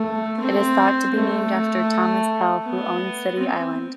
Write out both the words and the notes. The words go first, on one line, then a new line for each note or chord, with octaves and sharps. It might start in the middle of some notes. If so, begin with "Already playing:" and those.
It is thought to be named after Thomas Pell who owned City Island.
Already playing: A3
C4
A3
B3
C4